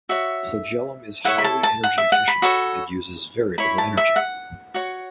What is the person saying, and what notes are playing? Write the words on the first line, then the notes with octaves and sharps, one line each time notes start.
The flagellum is highly energy efficient and uses very little energy.
F#4 C#5 E5
E4 A4 C#5 F#5
B5
A5
A5
F#5
E5
F#5
B5
F#4 A4 C#5
E4 C#5 B5
A5
E5
F#5
F#4 C#5